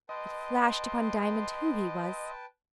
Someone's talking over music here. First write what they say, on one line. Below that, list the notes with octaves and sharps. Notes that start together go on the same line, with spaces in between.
It flashed upon Diamond who he was.
B4 D#5 G5 A5 C6